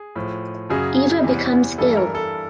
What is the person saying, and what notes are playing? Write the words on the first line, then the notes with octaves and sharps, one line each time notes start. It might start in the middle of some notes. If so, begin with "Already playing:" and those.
Eva becomes ill.
Already playing: G#4
A2 F3
F#2 C#3 F#3 G#4
E2 C3 E3
G2 E3 A4
A#4
A4